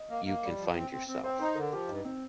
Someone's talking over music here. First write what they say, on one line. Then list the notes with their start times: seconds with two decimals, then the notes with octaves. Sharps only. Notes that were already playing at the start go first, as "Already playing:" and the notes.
You can find yourself.
Already playing: D#5
0.10 A#3
0.25 A#3
0.43 G3
0.59 F3
0.75 C4
0.91 C4
1.08 C4
1.24 C4 C5
1.39 D#4 C5
1.55 D3 A#4
1.72 F3 G4
1.88 G2 D#4
2.05 C4